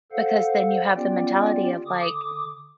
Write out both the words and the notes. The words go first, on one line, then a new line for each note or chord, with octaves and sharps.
because then you have the mentality of like,
A4 C5 F5 F#5
B3 C#4 F4 G4 D5 G5
D3 D6 D#6